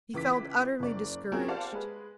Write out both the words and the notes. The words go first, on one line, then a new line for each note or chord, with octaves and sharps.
He felt utterly discouraged.
C#2 E3 D6 B6
F#1 D5
F#3 C4 C#4 F4 G#4 A#4
G4 C5 D5 F5 F#5 A5
G#3 G#4 B4